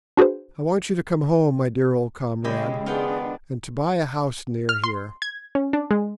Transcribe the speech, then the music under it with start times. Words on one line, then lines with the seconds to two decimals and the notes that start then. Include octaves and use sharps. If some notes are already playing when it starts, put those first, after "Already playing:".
I want you to come home, my dear old comrade, and to buy a house near here.
0.17 D4 F#4 G#4 B4 C5
2.44 C#3 G#3 E4 G4 D#5
2.86 D#3 G#3 B3 D4 F4 G#4 F#5 G5
4.69 F6
4.84 C6
5.22 G#6
5.55 C#4
5.73 D4
5.91 G#3